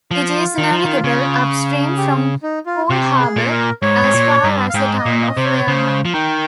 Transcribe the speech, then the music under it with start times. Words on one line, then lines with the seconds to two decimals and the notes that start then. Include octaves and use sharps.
It is navigable upstream from Poole Harbour as far as the town of Wareham.
0.11 F3 F4
0.58 D#3
0.72 F3
0.85 D#3
1.04 C#3
1.97 G4
2.43 D#4
2.66 F4
2.90 C3 G4
3.20 G#4
3.36 A#2
3.51 A#4
3.82 G#2 C#5
4.04 G#2
4.13 A#2
4.44 G2
4.69 F5
4.74 G#2 G5
4.98 D#5
5.06 A#2
5.21 D#5
5.37 C3 C5
5.45 C#5
5.58 C#5
5.68 C#3 C5
6.05 F3
6.14 D#3 G5